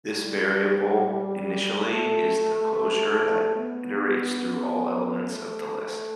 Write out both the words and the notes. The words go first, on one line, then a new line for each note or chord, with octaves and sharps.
This variable initially is the closure that iterates through all elements of the list.
G3
A3
B3
A3